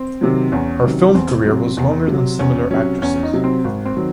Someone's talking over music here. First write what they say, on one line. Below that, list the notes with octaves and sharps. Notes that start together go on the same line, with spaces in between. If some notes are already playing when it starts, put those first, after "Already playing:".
Her film career was longer than similar actresses.
Already playing: C4
C3 D#3 F#3
E2 C#4
C3 D#3 F#3
E2 C4
C3 F#3
E2
C3 F#3
E2 C#4
C3 F#3 C#4
E2 C#4
D#4
C3 F#3
C4
G#1
C4
D#3 F#3